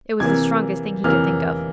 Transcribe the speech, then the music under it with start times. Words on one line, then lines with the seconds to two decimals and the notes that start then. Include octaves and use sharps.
It was the strongest thing he could think of.
0.20 C3 E3 A#3 G#6
1.04 C3 E3 A#3 F6